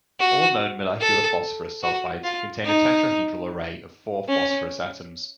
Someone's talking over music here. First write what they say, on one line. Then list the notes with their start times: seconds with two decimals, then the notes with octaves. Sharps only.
All known molecular phosphorus sulfides contain a tetrahedral array of four phosphorus atoms.
0.20 F#4
1.01 A4
1.83 F#4
2.24 F4
2.65 D#4
4.29 C#4